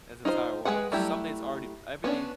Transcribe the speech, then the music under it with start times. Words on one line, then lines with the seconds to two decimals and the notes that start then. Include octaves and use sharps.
in this entire world. Something's already everything
0.25 D#4 F4 F#4 C5
0.65 G#3 D4 G#4 B4 F#5
0.92 F#3 G3 A3 E4 G4
2.04 B3 C#4 D4